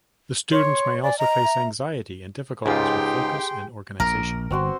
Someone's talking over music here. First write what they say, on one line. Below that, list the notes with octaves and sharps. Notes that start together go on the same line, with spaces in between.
The students may also face anxiety and difficulties with focus and organization.
C#5 C6
D5 G#5
D#5 A#5
E5
C#2 G#2 D#4 F4 G4 G#4 G5 C6
A#1 A#4
G1 C4 F#4 C6